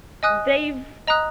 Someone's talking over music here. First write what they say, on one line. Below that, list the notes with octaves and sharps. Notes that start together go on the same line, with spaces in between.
mm, they've
D#5 G#5 D#6 F#6
D#5 A#5 D#6 F#6